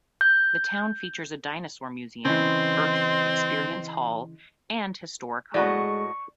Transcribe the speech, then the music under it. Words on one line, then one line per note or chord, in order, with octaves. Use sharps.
The town features a dinosaur museum, Earth Experience Hall, and historic home.
G6
C#3 E3 C4 D#5 C6
A2 G#3 F#4 D5 D#5 C#6